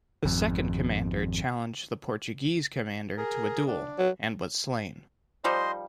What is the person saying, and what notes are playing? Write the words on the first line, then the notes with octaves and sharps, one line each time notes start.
The second commander challenged the Portuguese commander to a duel and was slain.
G#1 F2
G#4 A#4
D4
F#3
D#3 F3 G3 C5 D#5 C6